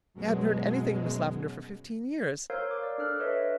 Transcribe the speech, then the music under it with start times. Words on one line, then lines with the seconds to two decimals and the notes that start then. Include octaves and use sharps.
He hadn't heard anything of Miss Lavendar for fifteen years.
0.14 F#2 B2 G#3
2.50 A#4 C5 C#5 F5 E6 G6
2.71 D6
2.83 D5
2.98 D4 A4 F6 F#6
3.20 B4 C#5 D#5 E5